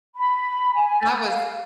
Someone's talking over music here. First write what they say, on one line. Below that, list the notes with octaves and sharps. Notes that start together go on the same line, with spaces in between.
That was
B5
G#5
F5